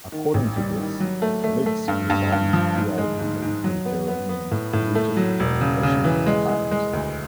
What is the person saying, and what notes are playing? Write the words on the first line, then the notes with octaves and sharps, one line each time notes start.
According to this, leeks were valued throughout the Mediterranean region in ancient times.
D#3
A1
G3
D#3
F#3
A3
A3
A3
G2
G2
G2
F3
G#2
G#3
G#2
G#2
F#3
B3
B3
B3
A2
A2
A3
F#3
E1
C#3
C#3
E3
G#3
G#3
G#3
D2